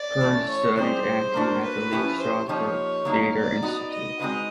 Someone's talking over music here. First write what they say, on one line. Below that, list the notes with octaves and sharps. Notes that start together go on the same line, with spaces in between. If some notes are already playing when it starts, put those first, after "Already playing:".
Curtis studied acting at the Lee Strasberg Theatre Institute.
Already playing: D5
E3 A3 C#4 E4
C#5
G3 C4 D#4 G#4 C5
A#3 D4 F#4 A#4
B4
F3 A#3 C#4 E4 G4
C5
F3 A#3 D#4 G4 C#5
F#3 A#3 D#4
D5
B3 D#4 F#4
D#5
G#3 C4 D#4 F#4 B4